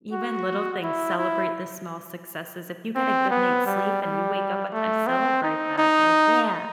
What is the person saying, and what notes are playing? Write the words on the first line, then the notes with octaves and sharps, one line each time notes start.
even little things, celebrate the small successes, if you get a good night's sleep and you wake up on time, celebrate that, be like, "Yeah"
F#4
E4
E4
C4
B3
G3
G3
A3
C4
D#4
D#4